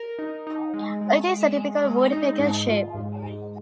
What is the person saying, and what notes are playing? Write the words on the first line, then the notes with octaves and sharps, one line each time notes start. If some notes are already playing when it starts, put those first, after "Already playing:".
It is a typical woodpecker shape.
Already playing: A#4
D#4
D#4
G#3
G#3
G#3
G#3
G#3
D#4
G#2
F4
G#2
G#2